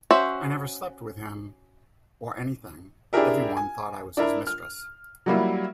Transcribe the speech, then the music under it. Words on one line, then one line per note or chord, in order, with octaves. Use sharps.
I never slept with him or anything, but everyone thought I was his mistress.
C#4 F#4 C5 E5
D4 E4 G4 G#4 A#4 E5
G#5
D4 E4 A#4
F6
F#3 G3 A#3 E4